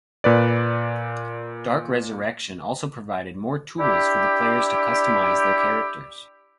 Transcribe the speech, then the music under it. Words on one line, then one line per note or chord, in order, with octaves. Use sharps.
"Dark Resurrection" also provided more tools for the players to customize their characters.
A#2 B4 D5
D4 E4 G4